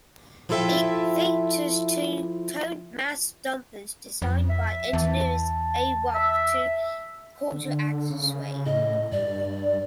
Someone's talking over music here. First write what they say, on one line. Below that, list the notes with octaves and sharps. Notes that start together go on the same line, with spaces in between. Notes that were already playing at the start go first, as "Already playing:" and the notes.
It features two tuned mass dampers, designed by engineers Arup, to counteract sway.
F3 E4 F4 A4 E5 G5
F2
E5
E2 A5
E5
D3
C#3
A2 D#5
G2 D5